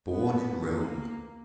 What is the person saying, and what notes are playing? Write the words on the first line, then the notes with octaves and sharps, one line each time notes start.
Born in Rome.
B3
A#3